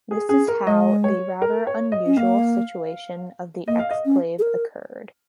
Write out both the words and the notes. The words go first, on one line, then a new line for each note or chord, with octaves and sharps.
This is how the rather unusual situation of the exclave occurred.
G#4
C#4 G#4
A#4
G#3 D#5
C#5
A#4
C#5
D#5
C#4
A#3 F5
A#3 D#5
F5
D#5
C#4
G#4
A#4